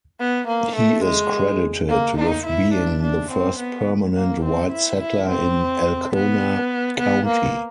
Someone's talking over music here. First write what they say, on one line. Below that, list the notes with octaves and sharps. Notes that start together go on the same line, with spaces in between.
He is credited with being the first permanent white settler in Alcona County.
B3
A#3
A3
G#3
A#3
D#4
E4
D4
D4
C4
B3
A#3
C4
E4
E4
C4
B3
B3
A#3